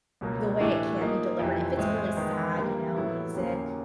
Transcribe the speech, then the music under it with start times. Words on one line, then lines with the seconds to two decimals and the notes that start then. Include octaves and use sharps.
the way it can be delivered, if it's really sad, you know, music
0.21 C#2 B2 F#3 A#3
0.60 A2 E3 A3 D4 G4
1.00 F3 A#3 D#4
1.39 F2 C3 E3
1.77 A2 E3 G#3 C4
2.17 D#3 G#3 B3
2.56 D3 G3 A#3
2.96 A2 F#3 B3 E4 A4
3.34 D#2 C#3 F#3 A#3